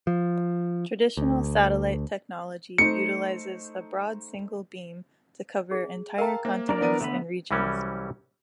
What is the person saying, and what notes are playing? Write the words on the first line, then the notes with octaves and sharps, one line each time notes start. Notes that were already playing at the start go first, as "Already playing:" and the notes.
Traditional satellite technology utilizes a broad single beam to cover entire continents and regions.
F3
D2
A3 D#4 C5 C#7
G#4
A#4 F5 G5 A5 A#5
A#3 C5 E5
D4 A#4 D5 A#5
E3 B3 D#7
D3 A3 B3 B5
C2 E3 F#3 G3 C#4